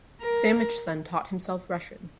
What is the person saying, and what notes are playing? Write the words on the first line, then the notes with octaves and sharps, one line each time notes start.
Samachson taught himself Russian.
A#4